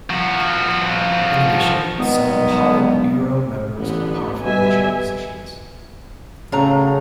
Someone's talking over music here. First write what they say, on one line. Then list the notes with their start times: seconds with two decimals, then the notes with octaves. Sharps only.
In addition, some Politburo members hold powerful regional positions.
0.10 F3 F#4
1.98 G2 D#3 F#3 G#3 B3
3.78 A1 D3 B3
4.45 B2 D3 G3 E5 G#5
6.52 A2 C#3 F#3 A#5